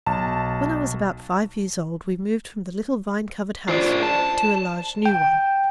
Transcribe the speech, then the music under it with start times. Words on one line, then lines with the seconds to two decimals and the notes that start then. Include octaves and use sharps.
When I was about five years old we moved from the little vine-covered house to a large new one.
0.06 B1 A5
3.69 F4 C5 D5
4.03 A5
5.06 G5